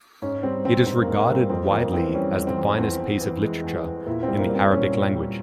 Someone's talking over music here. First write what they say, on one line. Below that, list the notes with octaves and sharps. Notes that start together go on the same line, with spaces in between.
It is regarded widely as the finest piece of literature in the Arabic language.
G#2 C#4
G3 C4
G3 C4
G#2 C4
A#3
G#2
A#3
G3
C4
F2 C4
F2 A#3
E3 C4
G3 C#4
F2
C4
F2
E2 C4
E2
E3
G#3
E2
E2
A#2 E4
C4
G3
A#3
G3 C4
A#2 C#4
A#2
G3